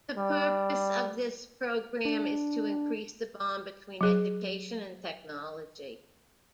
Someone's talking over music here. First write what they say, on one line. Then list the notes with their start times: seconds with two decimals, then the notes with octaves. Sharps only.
The purpose of this program is to increase the bond between education and technology.
0.17 G3
2.05 D4
4.01 F#3 G#4